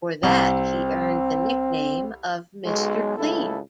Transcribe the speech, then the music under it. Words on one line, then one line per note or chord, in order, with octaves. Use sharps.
For that he earned the nickname of Mr. Clean.
C2 C4
B1 G#3
C#2 G2 A3 E4 A4